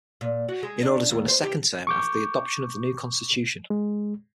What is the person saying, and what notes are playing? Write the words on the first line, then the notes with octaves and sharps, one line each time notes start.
In order to win a second term after the adoption of the new constitution.
A#2
F#4
G#3
D4
D#2
C5
G4
C#6 D6 G6
G#3